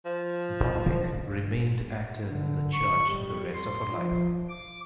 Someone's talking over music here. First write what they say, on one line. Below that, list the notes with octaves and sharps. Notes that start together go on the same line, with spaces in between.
Bombeck remained active in the church the rest of her life.
F3
D3
C#6
G3
C6
F3
D6